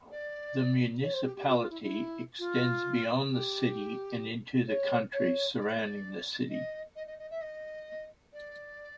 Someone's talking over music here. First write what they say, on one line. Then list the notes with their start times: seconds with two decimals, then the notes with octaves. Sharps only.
The municipality extends beyond the city and into the country surrounding the city.
0.10 D5
1.02 C#5
1.12 C5
1.25 G4
1.35 G4
1.47 F#4
1.59 F4
1.70 E4
1.81 E4
2.38 F4
3.30 G4
4.67 C#5
5.12 C#5
5.58 D5
6.49 D#5
6.95 D#5
7.06 D#5
7.18 D#5
7.30 E5
7.41 D#5
8.33 D5